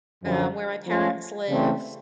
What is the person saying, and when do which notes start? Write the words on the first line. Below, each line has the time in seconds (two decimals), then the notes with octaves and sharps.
um, where my parents live,
0.23 F#2 D3 F3
0.87 F3 A3 C#4 F4
1.49 C#3 E3 A3 C4